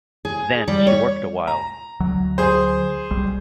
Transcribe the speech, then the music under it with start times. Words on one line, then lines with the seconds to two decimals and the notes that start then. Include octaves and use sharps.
Then she worked awhile.
0.25 G#4
0.68 G3
0.87 C#5
1.48 A#5
2.00 D2 F#3
2.38 G#4 C5
3.11 B1 G3